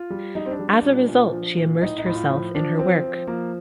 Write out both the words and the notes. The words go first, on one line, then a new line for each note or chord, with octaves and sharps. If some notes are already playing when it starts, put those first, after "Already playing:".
As a result, she immersed herself in her work.
Already playing: F4
G3
G3 D#4
C4
D4
G3
D4
A#2
A#2
F3
A#2
A2 D#4
D#4
A2
F4
F3
F3 D4
F3 C4
F3
F3 A#3